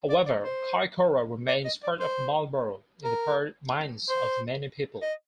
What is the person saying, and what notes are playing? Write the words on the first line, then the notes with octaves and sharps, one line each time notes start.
However Kaikoura remains part of Marlborough in the minds of many people.
D5
D5
C5
D5
D#5
D5
C5
A#4
C5
D#5